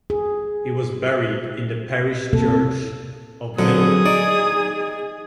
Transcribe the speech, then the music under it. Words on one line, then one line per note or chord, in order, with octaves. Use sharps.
He was buried in the parish church of Middlewich.
G#4
C3 A#3 A4
F2 D3 F#3 G#4 D#6
D#4 D5